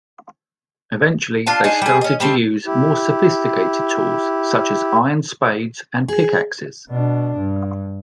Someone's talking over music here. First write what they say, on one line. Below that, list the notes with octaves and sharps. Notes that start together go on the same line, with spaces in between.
Eventually they started to use more sophisticated tools such as iron spades and pick-axes.
D4 F4 F5 A5
D4 D#4 F4 G#4
G3 G#4
C#4 D#5
G3 A3 C4
E4 G4
G#4
B2 D4
G2